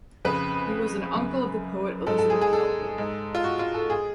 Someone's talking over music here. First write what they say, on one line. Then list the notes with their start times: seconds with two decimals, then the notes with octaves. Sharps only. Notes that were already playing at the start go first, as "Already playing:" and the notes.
He was an uncle of the poet Elizabeth Melville.
0.25 F2 C#3 B4
1.16 F#2 C#3
2.07 G#2 A4
2.18 A4
2.30 G#4
2.41 G#4
2.53 A4
2.98 G#2
3.35 F4
3.44 F#4
3.59 F4
3.74 A4
3.90 G#4